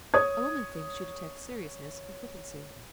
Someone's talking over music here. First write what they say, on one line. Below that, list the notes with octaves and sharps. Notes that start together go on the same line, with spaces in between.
A woman thinks she detects seriousness in flippancy.
C#5 D#6 G#6